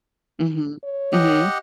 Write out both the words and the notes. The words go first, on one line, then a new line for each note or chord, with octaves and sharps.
Mhm. Mhm.
C#5
G4 D#5 F#5